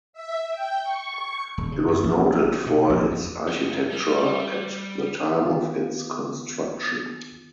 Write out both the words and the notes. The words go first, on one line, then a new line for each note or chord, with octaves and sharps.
It was noted for its architecture at the time of its construction.
E5
G5
C#6
D#1
C#3
F#2
A#1
B2
A#1
F2
C#3 F#3
G3
D#3 B3 F4